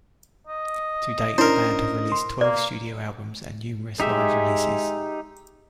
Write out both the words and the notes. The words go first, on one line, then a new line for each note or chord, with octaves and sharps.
To date, the band have released twelve studio albums, and numerous live releases.
D#5
C#4 D4 E4 A#4 C5
C6
A#3 D5
G#3 D#4 G4 E5